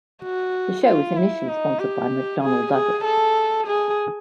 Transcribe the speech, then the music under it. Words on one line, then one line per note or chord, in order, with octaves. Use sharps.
The show was initially sponsored by McDonnell-Douglas.
F#4
F4
E4
D#4
G4
G#4
G#4
A4
G#4